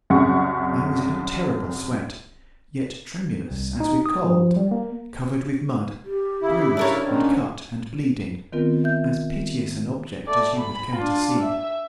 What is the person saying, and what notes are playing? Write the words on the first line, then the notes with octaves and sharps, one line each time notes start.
I was in a terrible sweat,--yet tremulous as with cold; covered with mud; bruised, and cut, and bleeding,--as piteous an object as you would care to see.
C2 F#2 C#3 F#5 C#6
C2
D#4
D#6
F3
G3
A#3
G4
C#3 E4
D4 A#4 C#5
G#2 D#3 C#4
D#3 B3 C4 F4 A#4
E5 G6
A3 D5
B5
D4 F4
E5